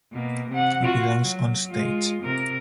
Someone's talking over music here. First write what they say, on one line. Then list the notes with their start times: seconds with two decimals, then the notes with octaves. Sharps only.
He belongs on stage!
0.13 B2 A#3
0.50 C3 F#5
0.83 F4 F#4
1.20 F#3
1.70 G#3 F4
2.22 C3 A#4